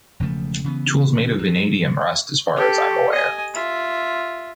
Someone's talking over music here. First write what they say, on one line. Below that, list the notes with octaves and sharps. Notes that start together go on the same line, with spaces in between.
Tools made of vanadium rust, as far as I am aware.
E1 C#3 F3 A3
C#3 E3 B3
G2 F#3
G4 A4
D#5 G#5
F4 E5